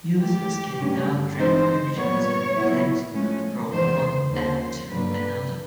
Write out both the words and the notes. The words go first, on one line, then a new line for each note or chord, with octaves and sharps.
Users can now drag pictures and text from one app to another.
A2 E3 G#3 G4
G2 D3 F#3 A3 C#4
C3 E3 G#3 C4 D#4 C5
A#2 G3 B3 C#5
A#2 F#3 B3 E4
A2 F3 G#3 C#4
E2 C3 D#3 G#3 B3 C5
D#2 C#3 F3 A#3 C#4 C5
G2 D3 F#3 A#3 D4 B4